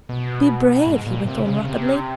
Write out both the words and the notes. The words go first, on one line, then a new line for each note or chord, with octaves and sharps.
'Be brave,' he went on rapidly.
B2
G#2
A#2
C3
C#3
C3